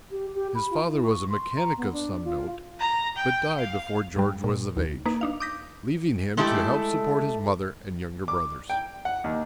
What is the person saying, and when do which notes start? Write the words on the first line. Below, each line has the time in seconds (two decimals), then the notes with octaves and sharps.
His father was a mechanic of some note, but died before George was of age, leaving him to help support his mother and younger brothers.
0.11 G4
0.34 G4
0.55 B5
0.70 F4
0.89 E4
1.03 C#6
1.30 C6
1.57 A#5
1.77 B3
1.92 D4
2.25 F4
2.79 A#5
3.16 G5
3.59 F5
4.16 G#2 G3
4.44 A#2
4.77 D#2
5.06 A#3 D#4 B4
5.21 D4 D#4 F5
5.40 D6 D#6 G6 A#6 B6
6.37 G#3 A3 E4 G4 A4
8.28 D6
8.70 G5
9.05 F#5
9.24 D#2